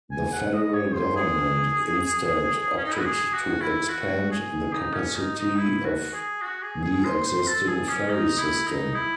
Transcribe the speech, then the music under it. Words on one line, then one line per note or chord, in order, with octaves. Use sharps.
The federal government instead opted to expand the capacity of the existing ferry system.
G#5
F#5
D#5
C#5
C5
G#4
C#4
D#4
E4
F#4
G#4
F#4
E4
F#4
G#4
D#4
C#4
D#4
D#4
E4
F#4
G#4
F#4
G#4
G#4
C5
C5
A4
G#4
C#4
D#4
E4
D#4
E4